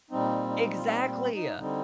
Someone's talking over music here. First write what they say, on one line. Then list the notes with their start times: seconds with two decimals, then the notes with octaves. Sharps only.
Exactly, uh!
0.11 A#2 G3 C4 D#4
0.48 D#4
0.76 F4
0.84 D#4
1.33 D#4
1.58 D3 G3 C4 D#4